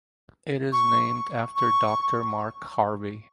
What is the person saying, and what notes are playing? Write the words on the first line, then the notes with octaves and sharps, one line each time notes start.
It is named after Doctor Mark Harvey.
C#6
C#6